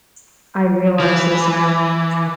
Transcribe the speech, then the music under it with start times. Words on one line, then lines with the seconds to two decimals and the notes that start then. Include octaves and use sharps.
I realize this now.
1.00 E3